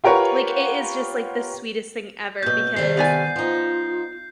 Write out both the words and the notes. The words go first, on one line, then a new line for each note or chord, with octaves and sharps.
Like, it is just like, the sweetest thing ever because,
F4 G4 A#4 B4 C#5 F#5
F#2 B2 A#3 G6
C3 D#3 G3 A3 C7
B3 D5 G#5
F3 D#4 F4